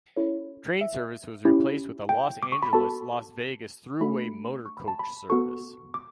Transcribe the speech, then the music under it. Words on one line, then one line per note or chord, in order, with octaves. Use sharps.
Train service was replaced with a Los Angeles-Las Vegas Thruway Motorcoach service.
C#4 E4 A4 C#5
E5
C#4 E4 G4
G5
D6
C#6
B5
B3 F#4 A4 A5
A3 D4 F#4 A4 B5
C#6
B5
A5
B5
B3 F#4 A4 C#6
D6